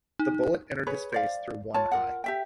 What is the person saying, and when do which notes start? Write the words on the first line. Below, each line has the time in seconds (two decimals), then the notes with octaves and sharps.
The bullet entered his face through one eye.
0.19 D#4
0.87 G#4 B4 C#5 B5
1.12 C5 D5 F5
1.74 F4 C#5 A5
1.92 F4 A#4 F#5
2.24 G4 E5 G5